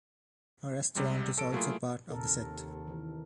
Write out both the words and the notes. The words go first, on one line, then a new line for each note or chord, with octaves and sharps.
A restaurant is also part of the set.
C2 C3 G3 G#3
A#1 A4 D7
F#3 A3 A#3 E4 F4 G#4
D#2 C3 A4 A#4
D#3 E3